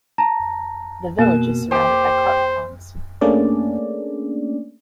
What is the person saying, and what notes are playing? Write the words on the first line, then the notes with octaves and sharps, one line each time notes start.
The village is surrounded by carp ponds.
A5 A#5 A#6
B2 A#3 A#4 E7
G4 C5
A3 A#3 C#4 D4 G#4 D5